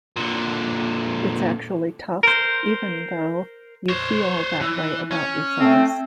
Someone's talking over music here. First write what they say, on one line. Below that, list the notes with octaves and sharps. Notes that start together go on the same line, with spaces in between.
It's actually tough, even though you feel that way about yourselves.
A#2 D3
A#4 C5
C5 C#5
E3
C#4
A3 C4